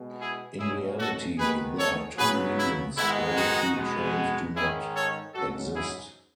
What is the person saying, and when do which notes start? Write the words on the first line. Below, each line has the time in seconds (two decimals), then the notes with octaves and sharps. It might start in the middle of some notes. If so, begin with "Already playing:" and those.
In reality, there are two reasons gravity trains do not exist.
Already playing: B2 G#3 B3
0.20 E4 G#4
0.59 B2 A3 C#4 E4 G#4
0.98 F#4 A4
1.38 D#3 G#3 B3 G#4 B4
1.78 A4 C#5
2.17 C#3 F#3 B3 G#4 B4
2.57 E4
2.96 G#2 D#3 G#3 B3 E4
3.36 D#4 F#4
3.76 B2 G#3 B3
4.54 G#2 D#3 G#3 C#4 E4 G#4
4.95 A4 C#5
5.34 G#2 F#3 C#4 F#4 A4
5.74 E4 G#4